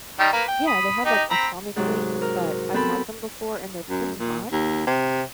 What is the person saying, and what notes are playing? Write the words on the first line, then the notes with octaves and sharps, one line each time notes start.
yeah, they have, like, atomic wings, but I've had them before and they're pretty hot.
D#3 G3 G4
A#3 B4
G5
B5 D#6
D#4 G4
C4 A#5 B5
G#2 C3 F#3
A#4
B3 C4 A4 B5
F#2
A#2
D#2
C3